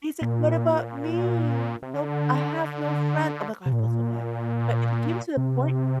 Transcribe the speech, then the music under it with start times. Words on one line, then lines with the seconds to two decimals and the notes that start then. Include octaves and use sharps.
he's like, "What about me? Nope. I have no friend" I'm like, "Oh," I felt so bad. But it became to the point
0.21 A#2
1.82 C3
1.94 D3
3.66 C3
3.72 A#2
3.80 A2
3.86 A#2
5.37 C3